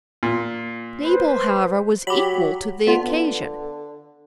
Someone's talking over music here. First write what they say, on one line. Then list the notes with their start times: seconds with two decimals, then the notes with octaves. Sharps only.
Mabel, however, was equal to the occasion.
0.23 A#2
1.04 B4 C5
2.07 F#3 G4 B5
2.87 D3 B3 F4